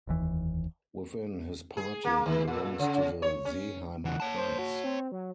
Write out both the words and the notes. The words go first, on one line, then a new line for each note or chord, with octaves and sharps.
Within his party, he belongs to the Seeheimer Kreis.
F1 D#2 E3
G#4
A#3
D#3
A#2
C#3
C#5
C#4
C#3 E3 F#5
C#5 A5
C5
F#4
C4
F#3